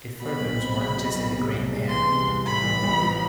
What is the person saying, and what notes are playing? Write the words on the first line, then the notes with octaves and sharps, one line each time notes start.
It furthers one to see the great man.
B2 B5
B1
C4
G#3
B2
B1
C3
C2
G#3
E3 C6
C3
C2
A2 B5
A1
A1
F3